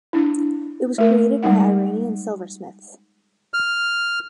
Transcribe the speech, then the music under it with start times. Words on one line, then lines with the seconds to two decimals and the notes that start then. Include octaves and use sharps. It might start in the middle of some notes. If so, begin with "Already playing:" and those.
It was created by Iranian silversmiths.
0.13 D4 E4
0.98 A3 A#4
1.43 G3 G#3 D#4 F#5
3.54 F6